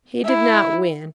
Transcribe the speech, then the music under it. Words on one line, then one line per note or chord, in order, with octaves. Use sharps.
He did not win.
E4